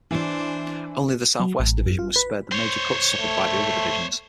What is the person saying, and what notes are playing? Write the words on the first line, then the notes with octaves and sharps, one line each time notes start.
Only the Southwest division was spared the major cuts suffered by the other divisions.
E3 D4 C5
F#3
A1
F#2
F4
B4
C5 C#5
A3